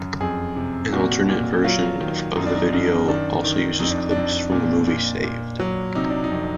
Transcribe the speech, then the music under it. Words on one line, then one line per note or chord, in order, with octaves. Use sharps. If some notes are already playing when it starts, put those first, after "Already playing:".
An alternate version of the video also uses clips from the movie "Saved!".
Already playing: F#2
F2 G#4
C3
A#2 F#4
A#2
F#3 F4
D#3
F#2 D#4
D4
D#4
F#2
D#3 D4
D#3
F2 D#4
D4
D4
F2
A#2
A#2
A#2
F#3
C3 D#4
D4
D#4
F2